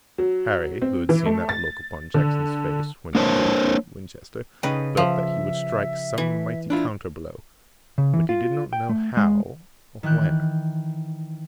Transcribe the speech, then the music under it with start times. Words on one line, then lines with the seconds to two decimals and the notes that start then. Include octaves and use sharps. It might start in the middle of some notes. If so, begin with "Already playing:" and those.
Harry who had seen that look upon Jackson's face, when he gazed back at Winchester, felt that he would strike some mighty counter-blow, but he did not know how or when.
0.18 F#3
0.82 C4
1.09 E3
1.26 A3
1.49 A6
2.14 D3
3.15 A#3 D4 A#4 C5 C#5 A5
4.63 C#3 D#4 B4 D#5 G5
4.97 F3 E5
6.18 E3
6.70 D4 E4 F4
7.98 C#3
8.14 E3
8.29 F4
8.73 G5
8.89 A3
9.17 G#3
10.03 D#3 E3 G5 F#6 G6